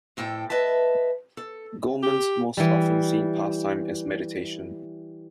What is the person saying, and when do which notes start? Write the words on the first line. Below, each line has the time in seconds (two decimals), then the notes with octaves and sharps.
Goemon's most often seen pastime is meditation.
0.17 F2 A2 A4 G5
0.50 B4 D#5 E5 A5
1.37 A4
2.03 G4
2.57 E3 G3